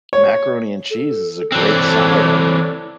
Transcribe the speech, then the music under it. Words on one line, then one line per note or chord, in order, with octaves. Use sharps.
macaroni and cheese is a great side on it.
C#5
A4
E3 C4 A4 C#5 D5 F#6